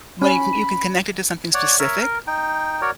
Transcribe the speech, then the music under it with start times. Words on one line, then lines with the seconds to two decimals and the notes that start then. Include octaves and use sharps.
when you can you can connect it to something specific,
0.22 C#4 B5
1.54 C#5 D5 F#5
1.79 A#4 C#5 E5
2.01 A#4
2.27 D#4 G5
2.81 F#4 A#4 C#5 D5